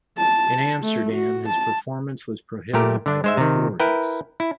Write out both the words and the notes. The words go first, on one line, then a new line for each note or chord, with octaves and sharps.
In Amsterdam his performance was prohibited by the authorities.
A5
A3
F#4
A5
A#2 A3 G4 A#4
D3 D4
G#3 C5 E5
C3 D#3
E4 A#4 B4 G5
E4